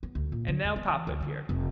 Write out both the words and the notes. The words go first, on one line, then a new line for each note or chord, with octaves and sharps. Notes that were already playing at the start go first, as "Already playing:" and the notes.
And now Papa appeared.
B3
D2
A#2
D3
D#2
B3
E3
D2
D3
F1